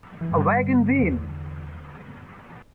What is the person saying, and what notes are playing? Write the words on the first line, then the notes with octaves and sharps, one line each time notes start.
A wagon wheel!
E3
G2 D3 G3
E2 D3